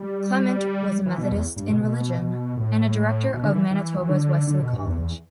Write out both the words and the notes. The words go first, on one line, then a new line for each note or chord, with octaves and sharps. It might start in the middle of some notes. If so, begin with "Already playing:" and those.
Clement was a Methodist in religion, and a director of Manitoba's Wesley College.
Already playing: G3
E3
B2
E2
G2
B2
B2
B2
A2
B2
D3
E3
E3
E3
D3
D3
B2
G2
E2
E2